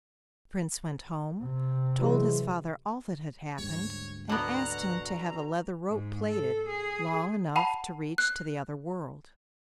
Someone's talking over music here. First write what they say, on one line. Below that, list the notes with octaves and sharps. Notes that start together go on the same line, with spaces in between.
The Prince went home, told his father all that had happened, and asked him to have a leather rope plaited, long enough to reach to the other world.
C3
E3 F#3 G#3
D2 G#2 G3 C#5
B2 D3 B3 F#5 A#5
G#2
A4
G#4
F#5 A5 B5
F#6